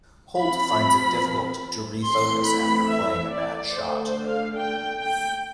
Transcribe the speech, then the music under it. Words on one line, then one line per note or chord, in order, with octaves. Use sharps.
Holt finds it difficult to re-focus after playing a bad shot.
F3 C4 B5
E3 A3 C4 C6
B5
E5
D5
D3 A3 D4 C5
C5
F5
G5
G5